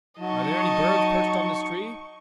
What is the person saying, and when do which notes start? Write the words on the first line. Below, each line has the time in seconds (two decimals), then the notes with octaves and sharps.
Are there any birds perched on this tree?
0.19 F#3 D#4 D#5 A5 C#6